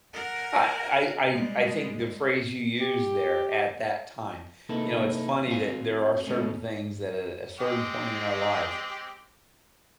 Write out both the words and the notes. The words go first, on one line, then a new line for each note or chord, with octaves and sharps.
I I I I think the phrase you used there, "at that time," you know, it's funny that there are certain things that at a certain point in our life,
A#4 F#5
G3 G#3
G4
C3 A#3 D#4 E4 A4 B4
C4 F#4 C5 F5 G#5
B2 D3 E3 G#3 A3 C#4
G#3 C4 G4